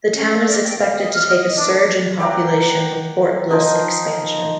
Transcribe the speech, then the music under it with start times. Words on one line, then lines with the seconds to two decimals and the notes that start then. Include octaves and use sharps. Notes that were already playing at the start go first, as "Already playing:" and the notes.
The town is expected to take a surge in population with Fort Bliss expansion.
0.13 C#4
0.33 F5
0.46 D5
0.62 G5
0.76 F5
0.96 D#5
1.12 F6
1.26 D#5
1.55 D4
2.20 D5 F#5 G5 A#5
3.50 F3 D#4 A#4 D#5